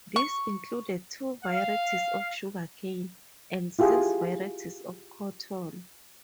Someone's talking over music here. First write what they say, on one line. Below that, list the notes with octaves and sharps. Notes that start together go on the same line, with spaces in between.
These included two varieties of sugar cane and six varieties of cotton.
C#6
F5
E4 F4 G4 G#4